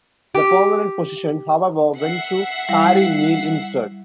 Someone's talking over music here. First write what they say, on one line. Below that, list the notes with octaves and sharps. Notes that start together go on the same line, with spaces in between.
The permanent position, however, went to Harry Neale instead.
G4
E5 F#5 C7
G3 E4 F5